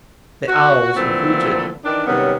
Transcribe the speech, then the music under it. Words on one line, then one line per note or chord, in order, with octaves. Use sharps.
The owls have hooted.
F#4
D3 E3 F3 A3 A#3 C4
D#3 E3 D4
C3 D#3 F#3 G3 B3 C#4